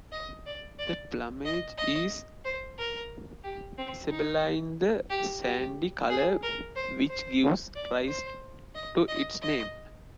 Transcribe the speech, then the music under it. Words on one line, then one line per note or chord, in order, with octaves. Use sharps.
The plumage is isabelline, the sandy colour which gives rise to its name.
D#5
D5
D5
D#5
D#5
C5
A#4
G4
C4
D#4
G4
G4
G#4
A#4
C5
C5
D5
C5
D#5
D#5
D#5